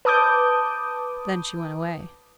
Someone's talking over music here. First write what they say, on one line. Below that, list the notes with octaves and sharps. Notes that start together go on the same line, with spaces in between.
Then she went away.
B4 A5 D6 D#6 G6